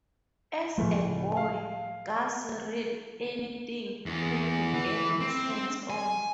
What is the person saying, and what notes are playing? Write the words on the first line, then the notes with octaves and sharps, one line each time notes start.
As a boy, Gass read anything he could get his hands on.
C#2 A2 F3 A3
F5
E2
E3
C4
G#5